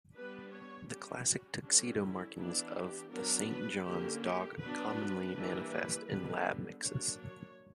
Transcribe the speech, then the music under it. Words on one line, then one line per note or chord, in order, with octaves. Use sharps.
The classic tuxedo markings of the Saint John's dog commonly manifest in Lab mixes.
G3 B3 D4 B4
C#5
G3 C#4 G4
F#4
D3 G3 C#4 D4
E4
E3 B3 D4 E4
G4
F#3 B3 D4 A#4
B4
D3 A#3 C#4 G4
G4
F#3 B3 D4 B4
E3 G3 A#3 D4
B4
D3 G3 B3 B4
F#3 A#3 D4 C#5
C#5